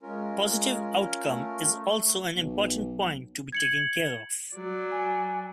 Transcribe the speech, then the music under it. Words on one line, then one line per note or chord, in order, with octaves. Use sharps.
Positive outcome is also an important point to be taking care of.
G#3 C#4 F4 A#4
G#3
A3
B1
G#6 C#7 F#7
F#3 D5
G#5